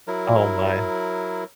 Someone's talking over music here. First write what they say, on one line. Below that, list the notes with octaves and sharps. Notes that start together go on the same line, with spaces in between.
Oh, my.
F#3 E4 A#4